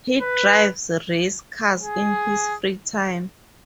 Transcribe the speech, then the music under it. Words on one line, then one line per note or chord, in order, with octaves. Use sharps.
He drives racecars in his free time.
B4
G#4